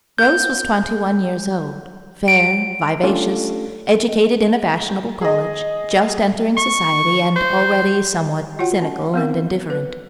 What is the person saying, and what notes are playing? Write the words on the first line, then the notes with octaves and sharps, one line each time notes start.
Rose was twenty-one years old, fair, vivacious, educated in a fashionable college, just entering society and already somewhat cynical and indifferent.
G6
D7
A3 C#4 D4 F4 G4 A4
G#4 D#5
C#6
C5
F4 F#4 C#5 F#5 G5
C#4
B3 C4 A#4
B4